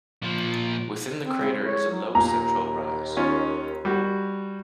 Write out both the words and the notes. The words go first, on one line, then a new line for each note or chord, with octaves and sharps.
Within the crater is a low central rise.
A#2 F3
C4
G#3 C#4 E4
C#5
F#3
D#2 A#2 A#5
D#3 C#4 F4
G3 F#4